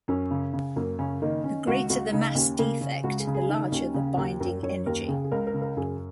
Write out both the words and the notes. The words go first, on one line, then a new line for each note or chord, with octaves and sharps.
The greater the mass defect, the larger the binding energy.
F#2 C#4
C#3
C#3
F#2 A#3
C#3 C#4
D#3 A#3
D#3 C#4
C#2 F#4
C#2 F#4
C#3 D#4
D#2 C#4
C#3 A#3
C#3 C#4
C#2 F#4
G#4
C#3
G#4
D#3 D#4
D#2 C#4
C#3
D#2
F#2 A#4
F#2 C#5
D#2 A#4
C#3 G#4
G#4
C#2 A#4
A#4
C#3
A#4
F#2 G#4